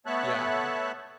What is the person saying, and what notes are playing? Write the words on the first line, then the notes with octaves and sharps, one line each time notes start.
Yeah, it's
A3 B3 C#5 E5 A5 F#6